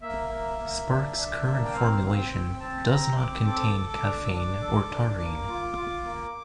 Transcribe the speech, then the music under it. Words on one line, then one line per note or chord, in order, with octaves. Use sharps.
Sparks' current formulation does not contain caffeine or taurine.
A#3 E5
A#3
A#3
D4
D4
A#3
G5
C4 F5
C4
G5
C4
C4 A5
C4 A#5
C4 D6
A4 D6
A4
D6
D4
E6
D4 D6
A4
D4
A#3 D6
F4
F4
A#3